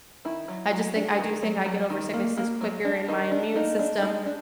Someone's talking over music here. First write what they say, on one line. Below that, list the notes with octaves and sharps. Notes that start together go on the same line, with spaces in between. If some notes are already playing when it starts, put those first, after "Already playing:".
I just think I do think I get over sicknesses quicker and my immune system
D#3 E4
F#3
F#3
D4
D#3
F#3
F#3
D#3
A#3
A#3
F#3
D4
D#3 D#4
D4
A#3 D#4
D4
G#3 D#4
D4